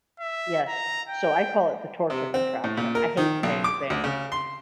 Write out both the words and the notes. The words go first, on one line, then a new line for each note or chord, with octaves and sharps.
Yes, so I call it the torture contraption. I hate the dang thing,
E5
A#5
G5
C3
C4
A2
A#2
A#4
D#3
B1
D6
D2
C#3
C6